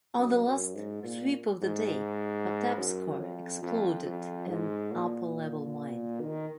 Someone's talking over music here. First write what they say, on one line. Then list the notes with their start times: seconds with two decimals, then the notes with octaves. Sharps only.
On the last sweep of the day "Patapsco" exploded an upper level mine.
0.18 F#2
0.46 F#2
0.75 G#2
1.04 A#2
1.62 G#2
2.77 F#2
3.19 F2
3.63 F2
4.05 F2
4.49 G#2
4.92 A#2
6.21 D#3